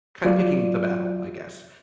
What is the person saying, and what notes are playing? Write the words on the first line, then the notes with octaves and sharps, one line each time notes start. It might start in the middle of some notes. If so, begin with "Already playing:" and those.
kinda picking the battle, I guess.
F#3 F4 D5